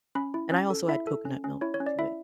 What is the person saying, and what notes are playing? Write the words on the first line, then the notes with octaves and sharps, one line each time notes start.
and I also add coconut milk to it.
C#4 B5
E4
C#4
A4
E4 E5
A4
C#4
C#4
E4 C#5
C#5
C#4
D5
E4 E5